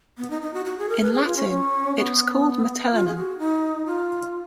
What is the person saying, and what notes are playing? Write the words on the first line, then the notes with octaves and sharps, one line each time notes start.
In Latin, it was called "Metellinum".
B3
D#4
D#4
F#4
F#4
G#4
A#4
B4
G#4
F4
C#4
C#4
B3
F4
G#4
F#4
D#4
F4